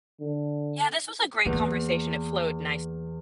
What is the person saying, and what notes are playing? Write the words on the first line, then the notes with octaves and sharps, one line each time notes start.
Yeah, this was a great conversation, it flowed nice
D3
E2 A#3